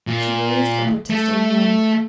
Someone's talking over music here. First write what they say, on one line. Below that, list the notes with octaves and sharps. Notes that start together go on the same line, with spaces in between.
She raised a protesting hand.
A#2
A3